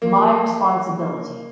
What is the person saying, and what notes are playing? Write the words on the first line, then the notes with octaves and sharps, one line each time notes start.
My Responsibility!
A#3